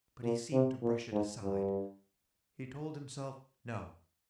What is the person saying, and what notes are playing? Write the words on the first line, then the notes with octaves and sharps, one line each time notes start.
But he seemed to brush it aside. He told himself no.
A#2
C3
A#2
G#2
G2